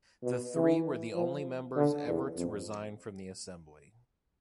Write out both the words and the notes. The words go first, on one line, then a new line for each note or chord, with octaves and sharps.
The three were the only members ever to resign from the Assembly.
B2
E3
F3
D3
E2
F2